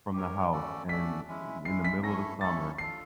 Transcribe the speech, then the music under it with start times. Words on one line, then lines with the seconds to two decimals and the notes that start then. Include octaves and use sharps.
from the house, and i in the middle of the summer.
0.14 G4 A#4 C#5
0.52 A3 C#4 F#4 A4 D5
0.89 A3 C#4 F#4 A4 D5 B6
1.28 G#3 C#4 E4
1.65 G#3 C#4 E4 C7
1.84 B6
2.03 A3 C#4 E4 A4 C#5 A#6
2.41 A3 C#4 E4 A4 C#5 A6
2.78 D4 F4 A4 C7